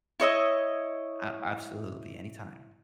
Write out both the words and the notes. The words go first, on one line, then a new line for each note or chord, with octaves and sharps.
A absolutely, anytime.
E4 C#5 D#5 E6